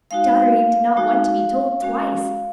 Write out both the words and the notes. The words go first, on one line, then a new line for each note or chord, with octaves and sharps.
Dotterine did not want to be told twice!
G#3 D#4 F#4 F5
G#3 D#4 F#4
G#3 C#4 F#4